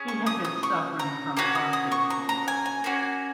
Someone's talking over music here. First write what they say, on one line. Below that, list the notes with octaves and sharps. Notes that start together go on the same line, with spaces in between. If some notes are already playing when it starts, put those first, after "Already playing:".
He had been suffering from prostate cancer.
Already playing: C#4 G#4
C#6
D#6
D#6
C#6
A#5
A#3 C#4 F#4 A#5
D#6
D#6
C#6
A#5
A#5
G#5
G#5
A#3 C#4 F#4